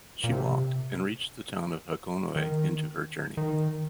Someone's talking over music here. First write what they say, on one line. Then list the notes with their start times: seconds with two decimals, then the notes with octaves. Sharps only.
She walked and reached the town of Hagonoy into her journey.
0.24 A#2
0.32 C3
2.36 D#3
3.37 D#3